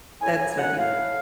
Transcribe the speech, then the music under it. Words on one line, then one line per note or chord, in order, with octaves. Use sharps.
That's funny.
A2 G#5
F#3 G#5
F#3 F#5
A2 F5
A2